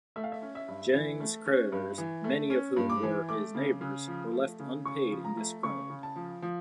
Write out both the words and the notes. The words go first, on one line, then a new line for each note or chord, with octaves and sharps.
Jennings's creditors, many of whom were his neighbors, were left unpaid and disgruntled.
A3 E5
F5
E5
C#4
E5
G2
E3
A3
C#4
G2
E3
A3
C#4
G2
D6
E3
A3 D6
C#3
C#3
F3
A3
C#3
C#3 C#6
F3
A#5
A3
C#3 C#6
C#3
A5
F3
F3